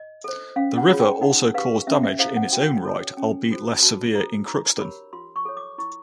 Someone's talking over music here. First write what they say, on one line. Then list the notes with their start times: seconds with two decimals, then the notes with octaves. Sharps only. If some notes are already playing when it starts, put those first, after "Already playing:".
The river also caused damage in its own right, albeit less severe, in Crookston.
Already playing: D#5
0.24 A4 C5
0.56 C#4 F5
0.77 F#5
0.89 F4 G#4 C#5
1.00 G5
1.21 D#4 F#5
1.54 G4 B4 F5
1.87 C#4 E5
2.03 E5
2.19 E4 A4 C5 F5
2.36 F#5
2.52 F#4 G5
2.85 A4 C#5
3.17 C#4 G#5
3.50 F#4 A4 C5
3.82 F#4 A5
4.15 A4 C5 A#5
4.47 D#4 A#5
4.80 G4 A#4 C#5 B5
5.13 F4 C6
5.36 C#6
5.45 A4 C#5
5.57 D6
5.78 E4 C#6